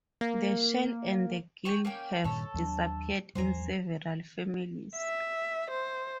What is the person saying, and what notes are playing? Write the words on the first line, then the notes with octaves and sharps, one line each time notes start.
The shell and the gill have disappeared in several families.
A#3
G5 G#5 C#6
A#3 C#4 G5
G2 A#2 D#3 A4 C#5
D#2 F#3 D4
E2 F3 G3 C5 G#5 A#5
E5
C5